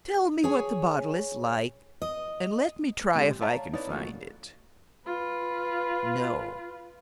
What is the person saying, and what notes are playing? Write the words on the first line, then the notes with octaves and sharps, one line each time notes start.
'Tell me what the bottle is like, and let me try if I can find it.' No!
G#4 C#5 G#5
D#5
A2 C3 F3 G3 G#3
C#5 D5 E5 F5 A5 A#5
D#4 E4 B4 C#5 D5
B2 E3 A3 A#3 F4 F#4
F4 B4